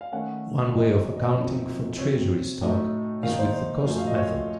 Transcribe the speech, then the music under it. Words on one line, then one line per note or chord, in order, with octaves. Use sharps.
One way of accounting for treasury stock is with the cost method.
F5
D#3 A3 C#4 F#5
F#2 D#3 A#3 D#4 D#5
C5
C#5
D#5
C#5
F#2 F3 C4 D#4
C3 F#3 C4 C#5
A2 F#3 A3 D#4
D#3 A#3 D#4 F5
C5
C5
F#2 F3 A3
F5
D#5
C#5